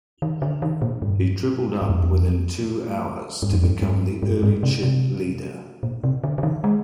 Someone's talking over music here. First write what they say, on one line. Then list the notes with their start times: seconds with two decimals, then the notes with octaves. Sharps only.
He tripled up within two hours to become the early chip leader.
0.22 D#3
0.42 D3
0.62 D#3
0.82 A#2
1.02 G2
1.82 G2
1.89 F2
2.03 F2
3.42 G2
3.53 F2
3.63 G2
3.82 G2
4.23 G2
4.43 G#2
4.63 C3
4.83 C3
5.83 A#2
6.04 C3
6.24 D3
6.38 D3
6.43 D#3
6.64 G#3